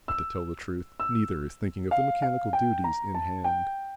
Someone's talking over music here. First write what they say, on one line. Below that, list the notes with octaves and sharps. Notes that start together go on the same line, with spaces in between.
But to tell the truth, neither is thinking of the mechanical duties in hand.
E6
E6
F5
F5
G5
A#5
A5
G5